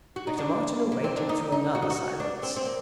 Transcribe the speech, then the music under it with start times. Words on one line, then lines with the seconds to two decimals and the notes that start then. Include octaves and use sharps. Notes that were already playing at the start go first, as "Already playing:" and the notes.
Dr. Martineau waited through another silence.
0.16 F#4
0.27 D#4
0.39 D4
0.92 A#3
1.04 C4
1.17 D4
1.29 D#4
1.52 D#4
1.75 F#4
1.82 D#4
1.90 F#4
2.20 D4
2.43 C4
2.57 C4
2.65 A#3